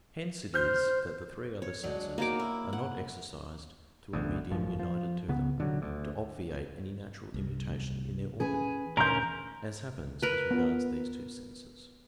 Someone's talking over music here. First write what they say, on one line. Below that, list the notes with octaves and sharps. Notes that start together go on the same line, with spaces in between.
Hence it is that the three other senses are not exercised through a medium united to them, to obviate any natural immutation in their organ; as happens as regards these two senses.
C5 F6 G6
C#5
F#3 G#3 D4
A#3 D#4 F#4 G#4 C#5 D6
E4
F#5
E1 A1 D2
A1 F#2 F3
F3
C#2 C#3 B3
D#1 D3 F#3
D2
C2
E3 C#4 G#4 B4 G#5
D2 A#2 E3 C#4 A#4 A#5 C6 G6
A#4 B4
B3 F4